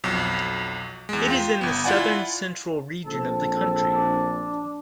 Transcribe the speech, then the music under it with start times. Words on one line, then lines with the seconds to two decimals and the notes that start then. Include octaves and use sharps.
It is in the southern central region of the country.
0.04 B1 F2 F#3
1.09 E2 G#3
1.28 F4 G5
1.61 G1 B3
1.84 E4 F4 D5 F#5 G#5
3.05 A#1 C4 A4 A5
3.94 D4